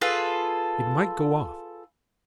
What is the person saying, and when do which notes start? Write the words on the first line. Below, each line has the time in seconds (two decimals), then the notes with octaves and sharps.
"It might go off!"
0.01 F4 G#4 A4 B4